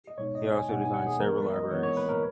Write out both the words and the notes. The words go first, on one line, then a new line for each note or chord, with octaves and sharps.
He also designed several libraries.
D#5
B2 G#3 B3 D#4 C#5
D#5
G#5
B2 G#3 B3 D#4 F#5
G#5
F#5
G#4
E3 G#3 B3 A#4
B4
D#5
E3 G#3 B3 C#5
C#5
B4
A#4